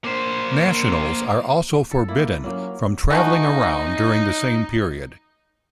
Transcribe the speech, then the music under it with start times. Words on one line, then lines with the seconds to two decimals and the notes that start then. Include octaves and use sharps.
Nationals are also forbidden from travelling around during the same period.
0.04 A#3 C5
1.91 A4
2.08 A#3 E4
2.44 F#3 A#3 C#4
3.10 E3 A3 D#4 F#4